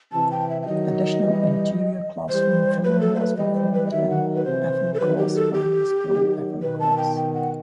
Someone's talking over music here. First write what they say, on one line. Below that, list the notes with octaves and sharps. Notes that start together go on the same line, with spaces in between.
Additional interior classroom filming was performed in Applecross Primary School, Applecross.
C3 E3 A5
G5
E5
E5
D#3 F#3 D#5
E3 G3
E3 G3 C5
F#3 A3 B4
A4
C5
B4
E3 G3 D#5
C5
B4
D#5
D#3 F#3 E5
F#5
B4
C3 E3 C5
A4
D#3 F#3 B4
G4
A4
G4
D#3 F#3
B2 D#3 B4
A5
G5
G5
F#5